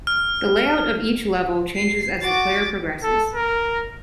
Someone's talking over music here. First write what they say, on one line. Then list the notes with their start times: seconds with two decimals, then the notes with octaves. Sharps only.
The layout of each level changes as the player progresses.
0.07 F6
1.75 C7
2.22 F#4 D6 A6
3.03 A4
3.34 A#4